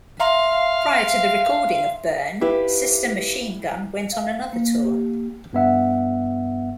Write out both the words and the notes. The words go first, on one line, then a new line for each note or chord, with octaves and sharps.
Prior to the recording of "Burn", Sister Machine Gun went on another tour.
E5 F5 A#5 C6
E4 G4 B4 F5
F5
A#3
G4
G2 B3 E5 F#5